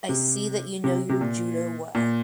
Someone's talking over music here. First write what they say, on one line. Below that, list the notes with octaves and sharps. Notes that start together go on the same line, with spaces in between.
I see that you know your Judo well.
C3
C3
C3
A#2
A#2